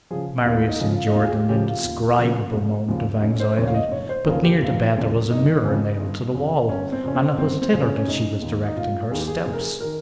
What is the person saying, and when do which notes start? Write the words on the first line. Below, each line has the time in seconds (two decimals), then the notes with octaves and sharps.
Marius endured an indescribable moment of anxiety; but near the bed there was a mirror nailed to the wall, and it was thither that she was directing her steps.
0.11 C#3 F3 G#4
0.45 D#2 F4
0.68 D#4
0.80 C#3 F3
0.91 F4
1.07 D#4
1.15 D#2 F4
1.25 G#4
1.32 G4
1.49 C#3 F3 G4
1.67 F4
1.84 D#2
2.18 C#3 F3
2.53 F1
2.88 D#2 C#3 F3
3.16 D#4
3.22 F1 C#4
3.40 C5
3.57 D#2 C#3 F3 C#5
3.67 F5
3.74 D#5
3.92 F1 C#5
4.09 C5
4.27 D#2 C#3 F3 A#4
4.44 G4
4.61 F1 F4
4.96 D#2 C#3 F3
5.30 G1 D#4
5.65 F2 C#3
6.00 G1
6.34 F2 C#3
6.69 G1 C#4
6.92 C4
7.04 F2 C#3 C#4
7.15 C4
7.38 G1 C4
7.62 C4
7.73 F2 C#3
7.84 C#4
7.97 C#4
8.07 F1 D#4
8.42 D#2 D#3
8.65 D#4
8.77 F1 F4
9.11 D#2 D#3 G#4
9.19 G4
9.27 G#4
9.46 F1 G#4
9.53 A#4
9.61 G#4
9.80 D#3 A#4